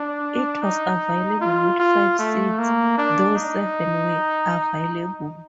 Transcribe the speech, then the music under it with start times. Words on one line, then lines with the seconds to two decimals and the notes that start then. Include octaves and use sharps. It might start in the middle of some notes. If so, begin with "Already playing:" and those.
It was available with five seats, though seven were available.
Already playing: D4
0.63 D#4
1.41 F4
1.80 F4
2.19 A3
2.59 A#3
2.98 D4
3.36 D#4